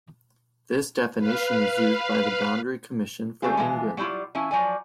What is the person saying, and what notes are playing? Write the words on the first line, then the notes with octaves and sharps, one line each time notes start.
This definition is used by the Boundary Commission for England.
B4 F5
C#3 G3 A3 C4 F4 G#4
E3 F3 G#3 B3
F#3 G3 A#3 E4 F4
F3 C#4 E4
F3 F#3 D5 G#5